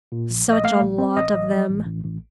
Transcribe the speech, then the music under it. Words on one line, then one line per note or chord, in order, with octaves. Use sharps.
Such a lot of them!
A#2
A#1
A#1
D#5
A3 F5
A#1
C4
A1 D#5
A1
F#3
A1
A1
A1